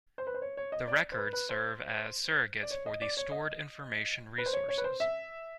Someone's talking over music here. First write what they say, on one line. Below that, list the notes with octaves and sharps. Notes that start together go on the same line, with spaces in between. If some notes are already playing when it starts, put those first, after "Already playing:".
The records serve as surrogates for the stored information resources.
C5
B4
C5
C#5
C#5
D#5
D5
C5
B4
B4
C5
D5
C#5
D#5
D5
C#5
D#5
B4
C5
C#5
C#5
B4
C5
E5